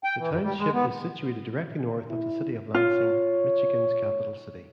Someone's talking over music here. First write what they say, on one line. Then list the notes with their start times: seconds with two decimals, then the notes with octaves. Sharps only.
The township is situated directly north of the city of Lansing, Michigan's capital city.
0.04 G5
0.19 E3
0.31 F#2
0.43 G3
0.59 G#3
0.73 B3
2.09 E4
2.74 F4 C#5